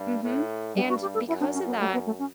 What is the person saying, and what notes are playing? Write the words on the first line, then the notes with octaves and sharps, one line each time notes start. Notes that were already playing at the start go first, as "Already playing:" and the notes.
mhm. And because of that
Already playing: G2
A2
G2 G3
F#4
G4
A4
F#2 E4
D4
C#4
B3
A3
B3
A3
C#4